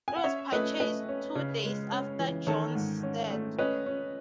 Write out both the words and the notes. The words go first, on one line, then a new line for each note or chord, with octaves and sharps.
It was purchased two days after Jones' death.
G#5
F#5
C#4 C#5 E5
A3 B4 D#5
A3 B4 D#5
C#4
C#3
G#3
C#4
E3
D#3 A4 C#5
G#2
C#4
A3
C#4 B4 D#5
C#4